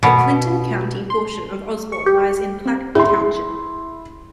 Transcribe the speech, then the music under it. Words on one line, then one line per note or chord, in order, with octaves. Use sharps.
The Clinton County portion of Osborn lies in Platte Township.
B2
C6
C#6
G4
C4
E4 G#4 C6